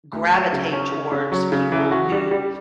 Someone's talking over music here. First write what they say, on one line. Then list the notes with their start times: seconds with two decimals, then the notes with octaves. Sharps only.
gravitate towards people who
0.13 D2
0.32 F#3
0.53 C#3
0.73 C#4
0.92 C#3
1.12 C#3
1.32 F#3
1.52 C#3
1.72 E3
1.91 F#4
2.12 G3
2.31 G3